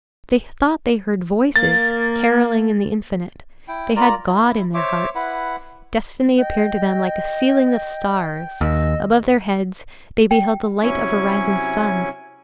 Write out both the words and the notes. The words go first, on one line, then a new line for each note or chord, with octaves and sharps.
They thought they heard voices carolling in the infinite; they had God in their hearts; destiny appeared to them like a ceiling of stars; above their heads they beheld the light of a rising sun.
A#3 A6
E4 G5
F4 A#4 D5 A#5
E4
C5 C#5 E5 D6
E4 B4 F#5
D#5 G5
D#2 D#5 E6
G5
C3 F#3 C#4 E4 G#5 C#6